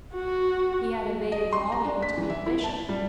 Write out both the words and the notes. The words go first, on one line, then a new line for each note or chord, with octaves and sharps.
He had a vague longing to be a bishop.
F#4
D#5
C6
A#5
D4
B6
E3
E5
E4
A5
G3